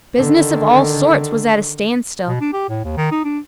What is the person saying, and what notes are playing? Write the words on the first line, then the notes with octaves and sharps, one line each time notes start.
Business of all sorts was at a standstill.
D3 D#3
B2
D4
G4
A2
D#2
D#3
D#4
D4